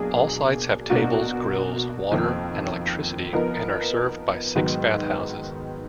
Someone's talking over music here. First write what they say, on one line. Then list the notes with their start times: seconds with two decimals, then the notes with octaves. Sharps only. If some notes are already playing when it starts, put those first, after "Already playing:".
All sites have tables, grills, water, and electricity and are served by six bathhouses.
Already playing: B2 F#3 A#3 D4 G#4
0.90 B2 A#3 D4 F#4 A#4
2.11 F2 D#3 A#3
3.33 F3 B3 D#4 A#4
4.55 G#2 D#3 F#3 B3